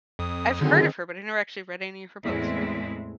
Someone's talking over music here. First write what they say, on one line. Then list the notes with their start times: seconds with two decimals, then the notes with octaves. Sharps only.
I've heard of her, but I never actually read any of her books,
0.19 F2 D#6
0.61 F#2 D3 D#3 C4 G#4 D#5
2.24 E2 A2 G#3 C4 E4